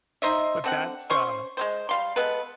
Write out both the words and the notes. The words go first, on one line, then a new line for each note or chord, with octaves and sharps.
but that's, uh
D#4 C5 D#5 E5
D3 C4 F#5
C#4 C5 C#6
G#3 C4 C5
G3 F5 C6
G#3 B3 A4 B4